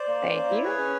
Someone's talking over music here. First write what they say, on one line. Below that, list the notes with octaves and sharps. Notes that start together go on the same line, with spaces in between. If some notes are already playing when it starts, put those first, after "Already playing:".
Thank you.
Already playing: C5 D5
A#3
C#4
A#3
E4
G#4 B4 C#5
C#4